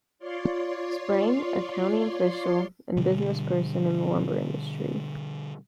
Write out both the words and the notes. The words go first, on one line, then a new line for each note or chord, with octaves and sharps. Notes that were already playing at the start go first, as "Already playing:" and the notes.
Sprang, a county official and businessperson in the lumber industry.
F4 C#5 D5 C6
B2 D3 G3